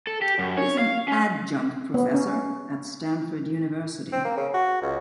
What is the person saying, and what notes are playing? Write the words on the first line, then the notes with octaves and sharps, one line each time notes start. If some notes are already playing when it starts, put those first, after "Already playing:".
He is an adjunct professor at Stanford University.
A4
G4
F#2
C#5
F5
C#4
B3
C#4
C4
A#3
C#3
F#4
C#2